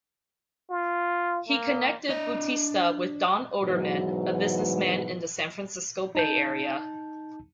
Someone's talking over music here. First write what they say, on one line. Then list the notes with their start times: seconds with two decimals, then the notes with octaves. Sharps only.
He connected Bautista with Don Odermann, a businessman in the San Francisco Bay Area.
0.70 F4
1.48 A#3
2.09 D4 D#5
3.63 G#2 B2 E3 F#3
6.15 D#4 A5 G6